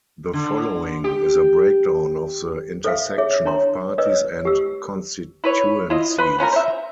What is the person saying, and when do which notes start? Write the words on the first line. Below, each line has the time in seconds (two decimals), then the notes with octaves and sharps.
The following is a breakdown of the intersection of parties and constituencies.
0.33 D3
1.04 G4
2.84 A4 C5 E5 F5
3.18 G#4 C#5 E5
3.45 D4 C#5 A#5 C6
3.98 B4 C#5 D#5 E6
4.45 G4 E6
5.44 E4 B4 C#5
5.90 E4 F4 D#5
6.18 B4 B5 C6
6.38 B3 C#4 F4 A#4
6.52 C5 E5